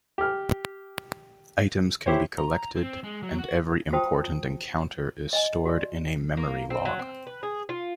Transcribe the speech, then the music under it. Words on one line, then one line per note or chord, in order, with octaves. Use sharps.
Items can be collected and every important encounter is stored in a memory log.
G4 F6
E4 G4 C5 C#5
A#5
C4
G#3
F#3
F#4
F4 F#4 C5 G5 A5 D#6
D#5 G#5
F#4 D5
A#3
C4
F#3
C4
B4
G#4
F4